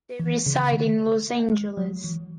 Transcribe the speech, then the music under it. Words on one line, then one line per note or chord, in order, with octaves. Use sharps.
They reside in Los Angeles.
E3
C#3
D#3
G#3
F#3
E3